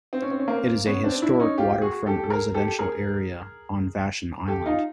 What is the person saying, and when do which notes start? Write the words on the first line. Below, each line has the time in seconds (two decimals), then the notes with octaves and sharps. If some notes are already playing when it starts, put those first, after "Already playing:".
It is a historic waterfront residential area on Vashon Island.
0.13 C4
0.22 C#4
0.31 C4
0.39 C#4
0.48 A#3 C4
0.86 B3 C#4
1.04 C4 D4
1.22 D4 E4
1.40 C#4 D#4
1.58 F4 G4
1.82 F#4 G#4
2.06 G4 A4
2.24 A4
2.30 G#4 A#4
2.54 G4 A4
2.79 G#4 A#4
4.48 G4 A4
4.66 D#4 F4